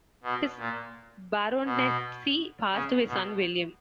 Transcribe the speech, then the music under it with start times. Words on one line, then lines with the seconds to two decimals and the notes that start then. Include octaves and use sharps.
His baronetcy passed to his son William.
0.23 B2
0.58 A#2
1.65 B2
2.71 C#3
3.07 B2